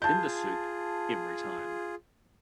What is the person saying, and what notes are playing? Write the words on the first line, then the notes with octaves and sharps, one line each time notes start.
In the soup, every time.
F4 G#4 A5 G6